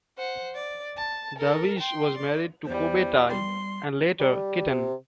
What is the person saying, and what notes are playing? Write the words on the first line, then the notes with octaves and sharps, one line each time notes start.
Davis was married to Kobe Tai and, later, Kitten.
C5 F#5
D5
A5
A4 A#4
G5 C6
D5
E2 G3 C5
G3 C6
G3
C3